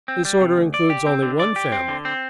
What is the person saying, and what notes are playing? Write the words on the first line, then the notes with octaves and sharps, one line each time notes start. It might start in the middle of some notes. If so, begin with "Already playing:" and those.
This order includes only one family.
C4
G3
C3
D2
D5
G4
C4
D3
D5
G4
C4
D3
C4